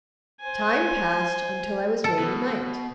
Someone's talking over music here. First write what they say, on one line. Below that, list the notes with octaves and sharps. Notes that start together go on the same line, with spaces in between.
Time passed until I was made a knight.
C5 G#5
A4
B2